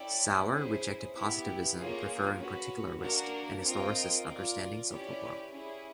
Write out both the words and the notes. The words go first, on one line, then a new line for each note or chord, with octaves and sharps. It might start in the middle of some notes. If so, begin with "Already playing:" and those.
Sauer rejected positivism, preferring particularist and historicist understandings of the world.
Already playing: C#4 E4 A4 D5 G5
C#4 E4 G#4 C5
B3 E4 G4
A#3 C#4 F4 G#4
C#4 F#4 B4
A#3 D4 F#4 A#4
C4 F4 A#4 D#5 G5
F4 A#4 D5
C#4 E4 G4 B4 D5
C#4 E4 G#4